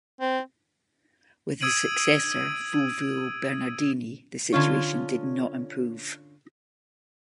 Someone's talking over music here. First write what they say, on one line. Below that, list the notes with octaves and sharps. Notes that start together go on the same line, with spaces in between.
With his successor, Fulvio Bernardini, the situation did not improve.
C4
D#6 E6 G#6 D7 D#7 F#7
D3 C#4 F4 C#5